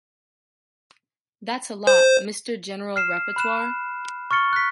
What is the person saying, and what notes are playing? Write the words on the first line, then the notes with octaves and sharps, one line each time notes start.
That’s a lot, mister general rapporteur.
C5
F6 C7 E7
B5 F#6 E7
C#6 F6 A6 C#7 G7
F#6 B6